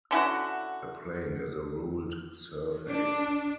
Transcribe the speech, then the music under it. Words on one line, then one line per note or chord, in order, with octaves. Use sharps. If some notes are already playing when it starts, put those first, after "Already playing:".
A plane is a ruled surface.
D3 C#4 E4 F#4
D4